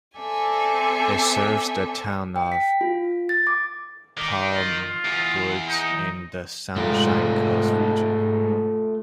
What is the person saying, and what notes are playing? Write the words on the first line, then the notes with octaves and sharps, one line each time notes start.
It serves the town of Palmwoods in the Sunshine Coast Region.
C4 A4 D5 E5 G#5
G5
B6
F4
A6
D6
D#3 D5
F4
E2
D#4
G#2 A3 F4